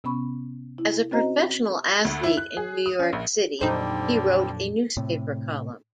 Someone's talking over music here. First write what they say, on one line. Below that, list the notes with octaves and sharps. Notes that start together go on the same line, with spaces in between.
As a professional athlete in New York City, he wrote a newspaper column.
C3 B3 C#4 B5 C#6
E4
C4 C#4 F#4 C5 D#5 A#5
D2
E4
F#6
G#4
D#6
C#4
A#1
F2 A#2 D3 F#3 G3 C4 D#4 C5
A2 C3